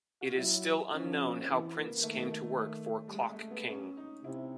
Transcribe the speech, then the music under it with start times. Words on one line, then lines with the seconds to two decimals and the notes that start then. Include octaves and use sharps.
It is still unknown how Prince came to work for Clock King.
0.21 F#4
0.30 F4
0.38 F#3 E4
0.93 F3 C#4
1.12 C#4
1.30 C#4
1.42 C4
1.48 E3 B3
1.76 A#3
1.98 A#3
2.03 D#3 A3
2.31 A3
2.59 A3
3.08 G3
3.14 G#3
3.33 A3
3.51 B3
3.69 C#4
3.97 D#4
4.24 C3 E4